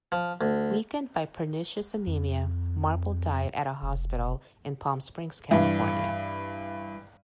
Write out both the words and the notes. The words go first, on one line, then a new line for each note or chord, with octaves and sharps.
Weakened by pernicious anaemia, Marble died at a hospital in Palm Springs, California.
F3
D2
F2
F1
G2 E3